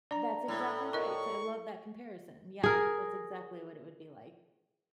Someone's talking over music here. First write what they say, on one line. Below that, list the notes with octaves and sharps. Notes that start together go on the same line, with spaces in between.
That's exactly right, I love that comparison. Yeah, that's exactly what it would be like.
D4 D5 A#5
A2 E4
A#4 D#5 C#6
G#4 A#4